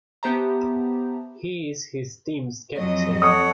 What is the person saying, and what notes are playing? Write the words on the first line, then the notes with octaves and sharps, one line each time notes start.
He is his team's captain.
B3 G4 C5 E5 A5 A#5
F2 F#3 D#5
A4 C#5 F#5 D#6